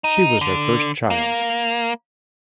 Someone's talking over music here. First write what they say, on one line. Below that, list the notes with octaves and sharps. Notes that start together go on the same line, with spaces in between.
She was their first child.
D#4
D3
A#3